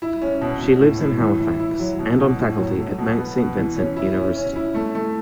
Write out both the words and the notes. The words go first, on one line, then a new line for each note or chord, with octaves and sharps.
She lives in Halifax, and on faculty at Mount Saint Vincent University.
E4
C#4
B2
B2
A2
A2
E3
E4
E4
F#3
B2
B2
A2
F#3
A3
B2
B3
B2
E3
C#4
E4
C#4
C#4
E4
A3
A3